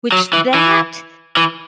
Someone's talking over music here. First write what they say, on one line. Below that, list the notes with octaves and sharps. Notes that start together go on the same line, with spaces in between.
which that
F#3
E3
E3
E3